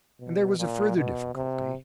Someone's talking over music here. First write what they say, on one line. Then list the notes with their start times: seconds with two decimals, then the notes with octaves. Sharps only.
And there was a further difficulty.
0.20 B2
0.59 A#2
0.97 B2
1.35 C3